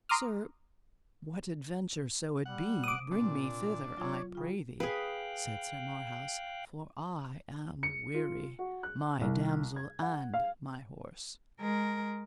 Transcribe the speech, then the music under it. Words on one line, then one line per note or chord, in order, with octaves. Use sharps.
Sir, what adventure so it be, bring me thither I pray thee, said Sir Marhaus; for I am weary, my damosel, and my horse.
A#5 C6 D6 D#6 F6
G3 F#5
C3 D6 D#6
A#2 A#3 C4 D4 G5
F#3 F4 C#5
C#3 F4 G5
G#4 B4 F5 G5 F#6
C#7
F4
F#4
F#6
C2
G#6
F#5
F5
G#3 A#4